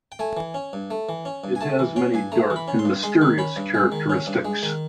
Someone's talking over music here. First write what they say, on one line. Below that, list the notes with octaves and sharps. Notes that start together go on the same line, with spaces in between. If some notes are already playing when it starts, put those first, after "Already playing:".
It has many dark and mysterious characteristics.
G5
A3 G#5
E3
C#4
G2
A3
E3
C#4
G2
G#5
A3 A5
E3
C#4 G5
G2 G#5
A3 A#5
E3
B5
C#4
C6
G2
G#3 C6
D#3
C#4 B5
G2
G#3
D#3
C#4
G2
G#3
D#3